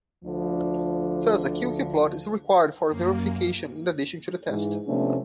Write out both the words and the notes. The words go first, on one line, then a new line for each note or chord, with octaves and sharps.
Thus a Q-Q plot is required for verification in addition to the test.
D2 D3 F3
F#2 A#3
G#2 E3 G#3
C3 F3 A3 B3 C#4 D4